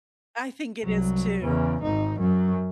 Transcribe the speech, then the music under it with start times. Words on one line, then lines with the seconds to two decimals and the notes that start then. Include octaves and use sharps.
I think it is too.
0.84 C2 F#3
1.42 E2 C#3
1.83 G#1 D#4
2.20 F#2 F#3